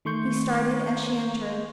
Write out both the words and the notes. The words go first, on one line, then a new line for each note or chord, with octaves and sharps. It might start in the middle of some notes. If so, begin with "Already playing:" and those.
He started as she entered.
D#3 A3 C6 C#6 G6